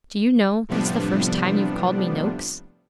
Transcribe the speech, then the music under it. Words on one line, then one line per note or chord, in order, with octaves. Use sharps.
'Do you know, that's the first time you've called me "Noakes"?'
A2 C3 F3 G3 B3 D4